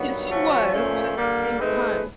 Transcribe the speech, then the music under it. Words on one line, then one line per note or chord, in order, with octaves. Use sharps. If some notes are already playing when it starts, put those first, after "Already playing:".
Yes, she was, but at the same time, it's
Already playing: G2 D#3 F#3 B3
F3 A3 C#4 F#4
A#2 F3 A3 C#4
D3 G3 A#3
A3 C4 D#4 G#4 B4